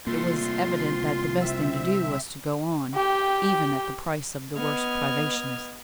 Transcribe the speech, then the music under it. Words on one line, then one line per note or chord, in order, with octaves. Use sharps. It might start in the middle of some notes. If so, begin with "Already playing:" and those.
It was evident that the best thing to do was to go on, even at the price of the worst privations.
C2 A3 A#3 F4 C6
C4 E5
G4 G5
B3 D#5 F6 G#6